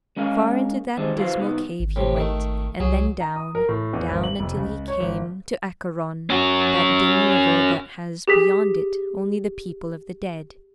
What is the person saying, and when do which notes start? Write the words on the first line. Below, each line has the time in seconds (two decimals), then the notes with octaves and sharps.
Far into that dismal cave he went, and then down, down, until he came to Acheron, that dim river that has beyond it only the people of the dead.
0.16 G#3 C#4 A#4 F5
0.97 D#3 E3 G3 G#3 C4 D4
1.17 E4 F#4 A4 B4 C5 F5
1.39 C2 B3 D#4
1.80 G#1
1.96 A2 C3
2.16 D#3 A3
2.80 C2 F#3 G#4
3.20 A#5
3.36 D#6
3.55 A#4
3.69 A2
3.93 E2
4.09 G#1
4.24 F#7
4.40 F1
4.57 C#2
4.88 C#5
5.00 G#1
6.30 C#4 F#4
8.28 G4 G#4 B6